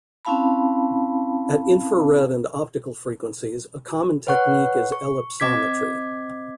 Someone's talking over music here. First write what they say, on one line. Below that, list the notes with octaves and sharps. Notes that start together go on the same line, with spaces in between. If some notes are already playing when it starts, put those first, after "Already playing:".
At infrared and optical frequencies, a common technique is ellipsometry.
C4 C#4 E4 F5 A5 B5
B4 C#5 F#5 C#6 F#6
C#6
C4 D#5 D6 G#6 B6